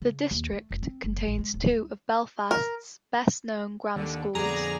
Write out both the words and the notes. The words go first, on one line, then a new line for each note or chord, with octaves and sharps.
The district contains two of Belfast's best known grammar schools.
C#3
D#2
A3
F1
C4
F#1
A1
G#3
D1
G3
A#4
D#2 D3
F2 D3 B3 G#4 D5 A#5